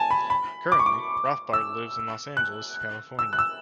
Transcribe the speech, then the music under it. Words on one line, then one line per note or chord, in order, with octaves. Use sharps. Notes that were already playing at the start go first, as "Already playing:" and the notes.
Currently, Rothbart lives in Los Angeles, California.
Already playing: G#5 A5
B5
B5
D6
C#6
D6
E6
F#6
E6
F#6
E6